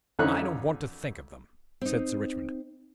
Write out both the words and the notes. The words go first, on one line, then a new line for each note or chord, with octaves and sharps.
"I don't want to think of them," said Sir Richmond.
F2 D3 E3 C#4 D#4 F#6
C4 D#4